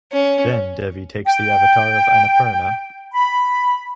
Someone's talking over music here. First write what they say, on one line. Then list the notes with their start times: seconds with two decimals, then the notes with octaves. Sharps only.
Then Devi takes the avatar of Annapurna.
0.13 C#4
1.25 G5
3.13 B5